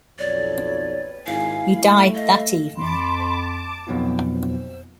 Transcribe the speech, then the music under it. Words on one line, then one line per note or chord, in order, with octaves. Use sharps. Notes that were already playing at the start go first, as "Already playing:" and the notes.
He died that evening.
B1 F2 C#5 D5
G#1 G#2 E4 F5 G#5
A3
D#5 F5
F2 A5 B5 C6 D6
F2 B2 F#3 B3 D#4 F4